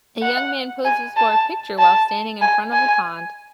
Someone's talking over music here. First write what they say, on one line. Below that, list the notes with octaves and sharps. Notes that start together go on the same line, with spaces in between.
A young man poses for a pictures while standing in front of a pond.
F#5
G#5
A5
A5
G#5
G#5